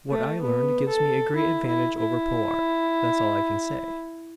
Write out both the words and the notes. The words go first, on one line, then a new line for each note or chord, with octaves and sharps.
What I learned gives me a great advantage over Powart; that's all I can say.
A3
B3
A4
E4
E4
E4